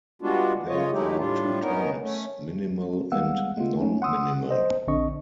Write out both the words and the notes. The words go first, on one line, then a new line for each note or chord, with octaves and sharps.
There are two types: minimal and non-minimal.
G3 G#3 B3 D4 F4 F#4
C#3 G#3 F4 C#5 D#5
F#3 G#3 A3 D#4 E4 G4
A2 G3 D4 F4
B3 C#4 D#4 A#4
A3 C#4
G3 G#3 B3 F5 F#5 E6
G#3 A3 B3 F4
A3 C#4 D#4
F#5 C6 D#6 E6
C5 D#5
A#1 D3 C4 D4 D#5 C#6